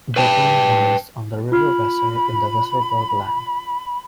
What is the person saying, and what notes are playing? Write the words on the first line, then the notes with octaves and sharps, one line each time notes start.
Bevern lies on the River Weser in the Weserbergland.
B4 G5 A5
F4 B5 F6